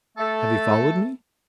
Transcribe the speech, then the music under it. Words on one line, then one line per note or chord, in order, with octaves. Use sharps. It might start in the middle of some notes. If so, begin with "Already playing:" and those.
Have you followed me?
A3 A4